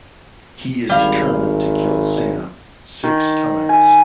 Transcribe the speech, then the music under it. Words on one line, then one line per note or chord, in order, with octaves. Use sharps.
He is determined to kill Sam "six times".
G#1 G3 F5
D#3
G#5